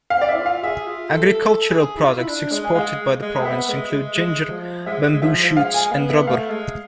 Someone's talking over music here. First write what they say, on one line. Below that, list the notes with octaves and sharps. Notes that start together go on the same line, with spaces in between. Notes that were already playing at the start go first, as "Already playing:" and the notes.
Agricultural products exported by the province include ginger, bamboo shoots, and rubber.
F5
C4
D5
E5
E4
F4
F5
G#4 E5
F4
A4
A4
G#4
E4
F4
E4
D4
G#3
G#5
G#3 F5
G#3
C4
B3 E5
G#3
G#3
G#3
F3
G#3 E5
G#3
F3 E5
F3
G#3 F5
G#5
B3 F5
E5
A3 F5
G#3